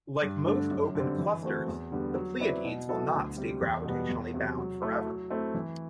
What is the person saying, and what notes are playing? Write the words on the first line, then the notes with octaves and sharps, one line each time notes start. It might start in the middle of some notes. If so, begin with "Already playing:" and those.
Like most open clusters, the Pleiades will not stay gravitationally bound forever.
G2
D3 A3 D4
F#2
D3 G3 C4
E3
A3 C4 F#4 C5
E2
D3 G3 B3
F#3
C4 E4 B4 D5
B2
F#3 B3 E4 A4
D2
C3 G3
E2
B2 G3 B3
E2
C3 F#3
F#3
A3 E4
F#3
A3 C4 E4
E3